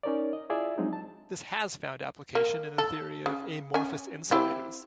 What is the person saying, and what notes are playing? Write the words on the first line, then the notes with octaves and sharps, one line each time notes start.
This has found application in the theory of amorphous insulators.
C#4 D#4 A#4 C#5 D5
D#5
E4 F4 G#4 D5 E5
F3 F#3 G#3 C4 D4 D#4
A5
A#3
A4
C#3
C#4 G#5
C4 E4 G4